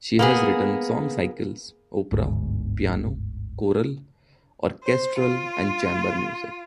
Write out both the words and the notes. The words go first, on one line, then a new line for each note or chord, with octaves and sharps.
She has written song cycles, opera, piano, choral, orchestral and chamber music.
A#3 B3 G#4
G1 D2 G#2
C5
F4